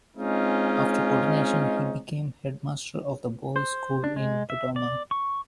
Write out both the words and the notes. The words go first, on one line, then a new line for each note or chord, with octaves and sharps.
After ordination he became headmaster of the Boys School in Dodoma.
G#3 C4 C#4 D#4 F4
C5
D4
G#3
E5
D5
C#6